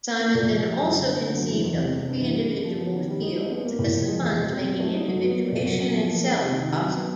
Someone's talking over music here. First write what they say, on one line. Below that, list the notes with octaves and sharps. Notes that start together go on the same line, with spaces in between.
Simondon also conceived of "pre-individual fields" as the funds making individuation itself possible.
A#3
A#2
F3
G3
F#2
D3
B3
D3
F#3
E3
E2
C3
G#3
G2
E3
A#3
C#3
F3
B3
D#3
G3
D#4
G#3
B3
A#3
A2
F3
G#3
E2
B2
C4
F#3
A3
D#4
F#3
B3
A#3
A#2
F#3
C#4
F3
A#3
G#3
C3
D#3
D#4
F#3
B3